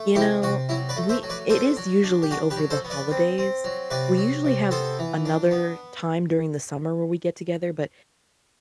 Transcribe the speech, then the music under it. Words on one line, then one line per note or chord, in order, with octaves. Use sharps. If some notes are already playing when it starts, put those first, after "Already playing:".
You know, we it is usually over the holidays. We usually have another time during the summer where we get together, but
Already playing: A3
C3 E4 G4
C3 F#4
F#3 E4
B4 D5
A3
C5 E5
F#3
B4 D5
D4 A4 C5
F#3
D4
G4
D4 F#4
G4 B4
F#3
A4 C5
B3
B4 D5
C4
C4
F#3
C3 B4 D5
F#3
C3
B3 A4 C5
E3
D4
B3